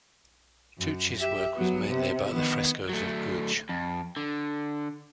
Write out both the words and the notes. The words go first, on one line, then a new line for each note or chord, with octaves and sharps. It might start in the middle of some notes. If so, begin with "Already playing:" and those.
Tucci's work was mainly about the frescoes of Guge.
F#2
G4 E5
F#3 B3
C3
D#3 B3
F#3 A3
F2
D3